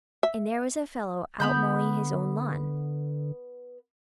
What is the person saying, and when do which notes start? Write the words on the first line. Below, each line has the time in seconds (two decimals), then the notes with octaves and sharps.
And there was a fellow out mowing his own lawn.
0.23 E5
1.40 D3 B3 B5 G6